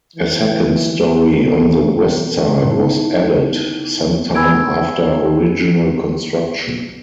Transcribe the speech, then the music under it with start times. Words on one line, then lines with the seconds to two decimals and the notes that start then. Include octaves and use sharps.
A second story on the west side was added some time after original construction.
0.16 E3
1.45 B2 E3 B3 C4 A4
2.58 G2 A#2 D3 G3
2.71 B3 D#4 E4 A5
4.35 G#5 B5 E6 G#6 D7